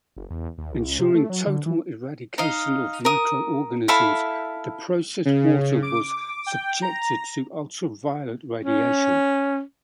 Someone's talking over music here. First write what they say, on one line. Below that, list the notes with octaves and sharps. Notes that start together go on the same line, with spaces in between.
Ensuring total eradication of microorganisms, the processed water was subjected to ultraviolet radiation.
F#1
E2
D#2
C2
C#2
C3
A3
F#3
D3
E3
D#4 D#5 F5
A#4 D#6
E4 A4 F5 B5
C#3
D6
G5
A#5
C#4